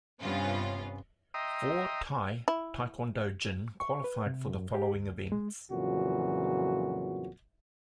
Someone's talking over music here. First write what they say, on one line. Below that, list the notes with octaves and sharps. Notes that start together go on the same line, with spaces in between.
Four Thai taekwondo jin qualified for the following events.
G2 C3 B3 C#4 F4
D#5 E5 G5 A#5 C6 D#6
E4
C#6
B4
C3
F#2
G4
D2
G#3
F2 A#2 C#3 E3 F#3 F#4